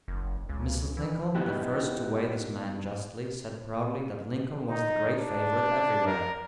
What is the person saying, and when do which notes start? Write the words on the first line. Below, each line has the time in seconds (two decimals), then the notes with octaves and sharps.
Mrs. Lincoln, the first to weigh this man justly, said proudly, that "Lincoln was the great favorite everywhere."
0.08 F#1
0.49 C#2
0.97 E3
1.35 B3 D#4 E4 F#4 G4
4.70 D#4
5.19 D4
6.06 A#4